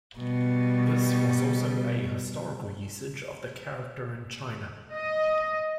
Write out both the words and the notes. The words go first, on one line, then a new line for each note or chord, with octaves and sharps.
This was also a historical usage of the character in China.
B2 G3
D#5